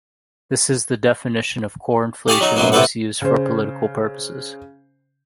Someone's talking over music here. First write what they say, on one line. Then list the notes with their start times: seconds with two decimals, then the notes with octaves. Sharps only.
This is the definition of "core inflation" most used for political purposes.
2.28 G4 G#4 F5 A5 C#6 D#6
2.41 F#3 D#4
2.57 F#2 B2 F#3 A#3
2.72 A2 C3 G4 A4 B4 F#5
3.22 C#3 C5